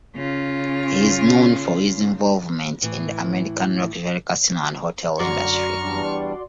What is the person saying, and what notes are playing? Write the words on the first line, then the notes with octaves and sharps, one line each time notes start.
He is known for his involvement in the American luxury casino and hotel industry.
C#3 F4
A2 E3
F#2 D3 F#4 D5 A#5 C6 C#6 F6
E2 G3 D4